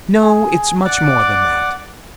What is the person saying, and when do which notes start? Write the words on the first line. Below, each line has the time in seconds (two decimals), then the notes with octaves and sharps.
No, it's much more than that.
0.21 G#4
0.85 D5 F#5 D6